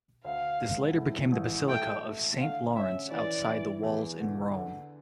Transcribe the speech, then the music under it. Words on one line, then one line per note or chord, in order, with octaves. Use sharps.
This later became the basilica of Saint Lawrence outside the Walls in Rome.
D2 F5
E1
A2
A1
A3 G5
A3
D3 F5
C#4 E5
E3 D5
E3
E2
D3
D3